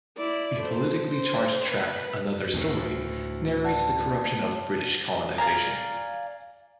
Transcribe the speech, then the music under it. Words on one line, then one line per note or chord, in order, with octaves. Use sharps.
The politically charged track "Another Story" narrates the corruption of British colonization.
E4 D5
A4 C5
C5
B4
D2 A2
D5 F#5 A5
D5 F5 G#5 A#5